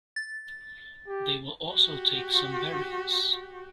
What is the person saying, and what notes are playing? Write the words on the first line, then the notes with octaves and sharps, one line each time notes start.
They will also take some berries.
A6
G4
F#4 G4